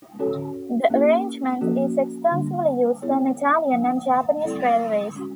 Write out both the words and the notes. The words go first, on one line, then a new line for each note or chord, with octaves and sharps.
The arrangement is extensively used on Italian and Japanese railways.
C#4 F#4 A4 C#5
A#3 C#4 E4 G4 A#4
F3 A#3 C#4 F#4 A4
D3 G3 A#3 D4
B3 E4 G#4 C#5
F3 A#3 D4
G3 C4 E4 A4 D5
G#3 C#4 F#4